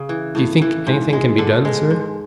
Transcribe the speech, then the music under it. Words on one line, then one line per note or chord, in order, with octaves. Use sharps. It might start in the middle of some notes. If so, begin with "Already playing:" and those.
"Do you think any thing can be done, sir?"
Already playing: C#3
E3
A2
E3
G#2
G#3
D3 A4
G#3
G#2